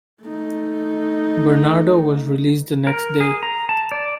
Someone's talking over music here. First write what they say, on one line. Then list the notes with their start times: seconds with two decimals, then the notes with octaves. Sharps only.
Bernardo was released the next day.
0.23 A3 D#4
2.87 A#4
3.20 G#4
3.43 A#5
3.69 A5
3.92 D5